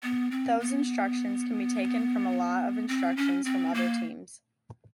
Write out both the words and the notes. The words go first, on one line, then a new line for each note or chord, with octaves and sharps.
Those instructions can be taken from a lot of instructions from other teams.
B3
C4
B3
C4
C#4
C4
A#3